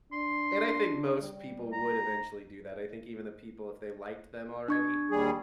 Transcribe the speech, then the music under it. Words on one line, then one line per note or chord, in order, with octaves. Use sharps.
And I think most people would eventually do that. I think even the people, if they liked them already,
D4 C6
G3
A#5
D4 C#6 G#6
D#2 G3 G#4